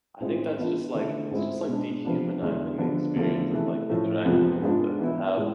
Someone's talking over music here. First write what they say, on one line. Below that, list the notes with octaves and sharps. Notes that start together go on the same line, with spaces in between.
I think that's just, like it's just, like, dehumanizing the experience of, like, interacting with people to to have
A2 G#3 C4 F4
E3 B3 D4 F4
D3 A3 E4
G#2 G#3 C4 E4
B2 G#3 D4
C3 F3 B3 D4
E2 D3 G#3
D3 F3 B3 D4
E2 D3 F3 A3
C3 E3 A3
A2 F3 A3
F2 C3 G#3 B3 F4
G#2 G#3 B3 D4 F4
E3 B3 E4
A2 G#3